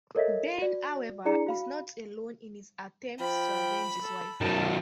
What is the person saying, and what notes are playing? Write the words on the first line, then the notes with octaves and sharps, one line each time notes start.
Ben, however, is not alone in his attempts to avenge his wife.
A4 A#4 C#5 D#5 E5 B6
F#4 D5
D4 E4 G#4 D5 A#5 C#7
F#4 F5 B5
F3 G5 B5
A4
F#2 D#3 F#3 A5